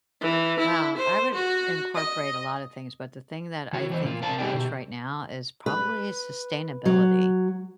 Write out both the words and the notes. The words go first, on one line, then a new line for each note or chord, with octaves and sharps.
Well, I would incorporate a lotta things, but the thing that I think the most right now is probably sustainability.
E3
E4
C5
F#4
D#5
D#3 F#4 C#5
E3 C5 D#5
A#2 A#3 F4
A#4 D5 F5 A5
G3 D#4 G4 G#4 D5 G5
B2 G4
B4
F#3